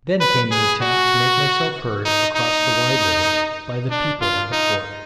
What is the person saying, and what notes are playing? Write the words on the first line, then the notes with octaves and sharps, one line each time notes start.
Then came the attempt to make myself heard across the wide river by the people of the fort.
B4
G#4
F#4
D#4
D#4
D4
F4
D#4